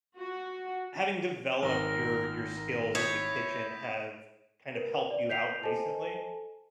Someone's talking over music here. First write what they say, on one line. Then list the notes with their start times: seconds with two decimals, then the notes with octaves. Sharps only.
having developed your your skills in the kitchen have kind of helped you out recently?
0.17 F#4
1.63 G#1 A#4 A#6 G7
2.57 A#4
2.95 E4 C#5 D#6 G6 B6
4.75 A#4 B4
5.11 D5
5.30 G6 B6 C7 F7
5.63 A4 C5 D#5 G#5 A5